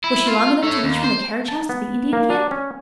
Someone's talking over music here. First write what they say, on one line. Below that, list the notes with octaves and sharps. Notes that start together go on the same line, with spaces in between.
Was she long enough to reach from the carriage house to the Indian camp?
E4
F4
A3 C#5
D#2
C5
A5
B3
A#3
D4
C#4